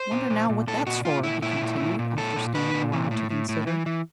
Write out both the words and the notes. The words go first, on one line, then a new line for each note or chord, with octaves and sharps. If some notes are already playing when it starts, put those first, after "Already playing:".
"Wonder now what thet's for?" he continued, after standing awhile to consider.
Already playing: C5
A#2
A#2
A#2
A#2 A4
A#2 F#4
A#2 F4
A#2 E4
A#2 E4
A#2
A#2
A#2
A#2 A4
A#2
A#2 B4
A#2
E3
A2
A2
A2
E3
E3